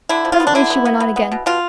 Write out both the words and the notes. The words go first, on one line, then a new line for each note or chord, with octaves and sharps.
Presently she went on again.
D3 E4
F3
F4
B3
D4
D3 E4
B3
B3
B3
B3
B2
B2 F4